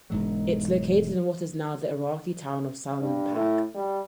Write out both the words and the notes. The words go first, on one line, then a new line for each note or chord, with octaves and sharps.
It is located in what is now the Iraqi town of Salman Pak.
E1 G#2 F#3
G2
A2
G3